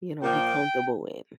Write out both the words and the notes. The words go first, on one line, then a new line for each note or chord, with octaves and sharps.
you know be comfortable in,
A#2 F3 A#3 G5